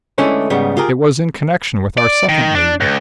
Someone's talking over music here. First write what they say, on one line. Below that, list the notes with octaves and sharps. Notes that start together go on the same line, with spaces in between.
"It was in connection with our second lead."
D3 E3 G#3 A3 C#4 D4
G#2 C#3 G3 B3
F4 G4 G#4 A#4
D5
D#3
D4
C#2